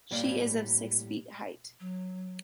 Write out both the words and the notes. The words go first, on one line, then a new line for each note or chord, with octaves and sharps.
She is of six feet height.
A2 G3 A#3 D5 F5
F#3